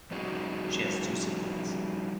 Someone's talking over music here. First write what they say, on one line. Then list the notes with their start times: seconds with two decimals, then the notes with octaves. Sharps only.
She has two siblings.
0.11 F3 G3 C#4 D#4 F#4 G#4